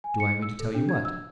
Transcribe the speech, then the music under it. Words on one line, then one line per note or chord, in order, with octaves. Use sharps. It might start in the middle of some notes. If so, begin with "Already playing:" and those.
Do I mean to tell you what?'
G#5
C#7
E6
A4
D4
G#6
E6